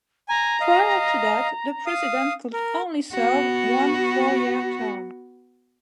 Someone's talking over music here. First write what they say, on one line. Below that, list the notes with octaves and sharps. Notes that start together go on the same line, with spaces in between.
Prior to that, the president could only serve one four-year term.
G#5 A#5
D#5 F5
F5 D#6
A#4
B3 F#4